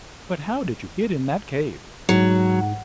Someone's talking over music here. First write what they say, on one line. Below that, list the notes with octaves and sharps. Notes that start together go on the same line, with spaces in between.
"But how did you get in that cave?"
G#2 F#3